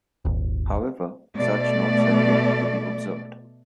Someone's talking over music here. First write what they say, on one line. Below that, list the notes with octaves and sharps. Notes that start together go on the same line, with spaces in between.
However, such knots have yet to be observed.
D#1 G#1
B2 A3 D5